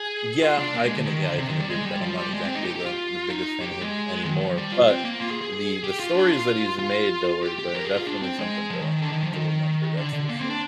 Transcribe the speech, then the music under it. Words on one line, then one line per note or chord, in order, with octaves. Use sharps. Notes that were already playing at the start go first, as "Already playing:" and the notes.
Yeah, I can a yeah, I can agree with that. I'm not exactly the the biggest fan of him anymore, but the the stories that he's made though are de definitely something to to remember, that's for sure.
Already playing: G#4
F4
D4
A#3
G#3
D3
D#3
D3
C3
D#3
G3
G#3
G3
F3
G3
G#3
C4
D#4
G4
G4
F4
D#4
G4
G4
G#3
D#3
F3
G3
F4
C4
A#3
F4
G#4
G#4
G4
F4
D4
F4
F4
G4
G4
A#4
G#4
F4
D4
C4
G#3
F3
D#3
D#3
D3
D#3
F3
D#3
D3
D3
A#3
C4
D4